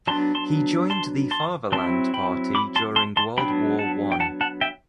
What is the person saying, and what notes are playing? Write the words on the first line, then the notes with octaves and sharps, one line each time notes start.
He joined the Fatherland Party during World War One.
F#3 B3 D4 A5 C6
A5 C6
A5 C6
A5 C6
F#3 C4 E4 A5 C6
G5 B5
B5 D6
A5 C6
A5 C6
A5 C6
F#3 B3 D4 G5 B5
F#5 A5
G5
F#5 A5
F#5 A5
E5 G5